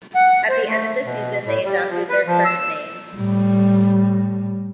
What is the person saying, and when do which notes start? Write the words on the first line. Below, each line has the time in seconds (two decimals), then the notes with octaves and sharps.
At the end of the season they adopted their current name.
0.15 F#5
0.49 C5
0.68 A3
1.05 B2
1.45 A2
1.64 G3
1.89 F3
2.09 B4
2.27 F3
2.45 E6
3.17 A2 G3